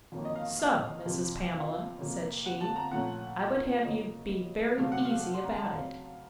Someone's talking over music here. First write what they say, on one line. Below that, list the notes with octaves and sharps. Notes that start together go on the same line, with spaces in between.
So, Mrs. Pamela, said she, I would have you be very easy about it.
F2 D#3 F#3 A#3 C#4
D#5
F5
F5
F2 C3 F3
F5
D#5
F5
F2 C3 F3 A#3 C#4
F#5
A5
A#5
A#2 F3 A3 C#4 F#5
F#2 C#3 F3 A#3 C#4 D#5
C3 F#3 A3 F5
F#5
F5
C6
A#5
A5
F#5
C#3 F#3 C4 F5